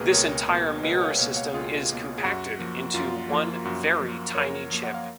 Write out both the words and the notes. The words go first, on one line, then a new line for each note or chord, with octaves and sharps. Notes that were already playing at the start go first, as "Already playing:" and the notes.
This entire mirror system is compacted into one very tiny chip.
Already playing: C#2 B2 A#3 G#4 A#4 B4
C#2 A#4 C#5
B2 A#3
C#2 B4 D#5
F#5
C#5 F5
B2 A#3 C#5 F5
C#5 F5
C#2 F4 G#4
B2 A#3
G#4
F#2 F#4
F3 A#3
F#2 F4
F3 A#3
F#2 F#4
F3 A#3
F#2 A#4 C#5
F3 A#3
F#5
F5